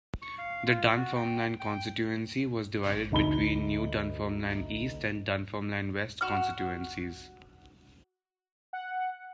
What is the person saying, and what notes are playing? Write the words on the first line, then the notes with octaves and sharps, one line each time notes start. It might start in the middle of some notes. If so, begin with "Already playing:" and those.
The Dunfermline constituency was divided between new Dunfermline East and Dunfermline West constituencies.
C#6
F5
F4
F#4
G5
G5
D2 D#4 B5 G7
F#4 F6
F#5